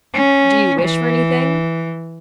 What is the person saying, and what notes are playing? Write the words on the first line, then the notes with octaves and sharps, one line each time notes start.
"Do you wish for anything?"
C#4
E3